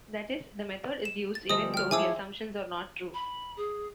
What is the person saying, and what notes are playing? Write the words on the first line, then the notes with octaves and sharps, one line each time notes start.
That is, the method is used even though the assumptions are not true.
E7
A6
D2 F3 G3 D#5 D#6
G5 F6
F3 E4 G#4 G#5 D6 E6
B5
G#4